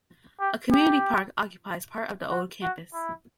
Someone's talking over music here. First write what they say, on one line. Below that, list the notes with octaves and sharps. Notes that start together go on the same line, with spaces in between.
A community park occupies part of the old campus.
G4
G4
F#4
F#4
E4